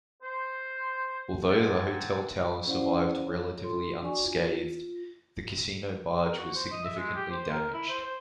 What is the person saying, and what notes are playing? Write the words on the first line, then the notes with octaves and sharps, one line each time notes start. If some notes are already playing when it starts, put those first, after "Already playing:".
Although the hotel tower survived relatively unscathed, the casino barge was significantly damaged.
C5
A#3 C4 F#5 G#5 A5
C#4 E4 C5 D5 F5 F#5
C#5
F4 A4 C6
D4 F#4 D5 G#5 C#6
F4
A#4
F#4
C5
D#5
E5
G#3
G4
C5
A#4
E4
C5
C5